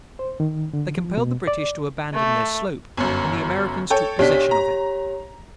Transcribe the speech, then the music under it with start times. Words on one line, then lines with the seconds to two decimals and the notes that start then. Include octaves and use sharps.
They compelled the British to abandon their sloop, and the Americans took possession of it.
0.19 C5
0.40 D#3
0.73 D3
0.98 F3
1.17 B2
1.47 D5
2.14 A3
2.97 G1 F#2
3.90 A4 C#5 G5
4.19 B1 D4 G4 C#5 B6
4.51 A#5